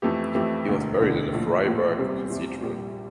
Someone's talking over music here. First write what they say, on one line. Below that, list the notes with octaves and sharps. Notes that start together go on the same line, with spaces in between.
He was buried in the Freiberg Cathedral.
F2 E3 A3 E4 G4
F2 E3 A3 E4 G4
E1 D2 D3
E1 D2 D3
A#1 A2 F3
A#1 A2 F3
E2 C3 G3 C4
E2 C3 G3 C4
A#1 A#2 G3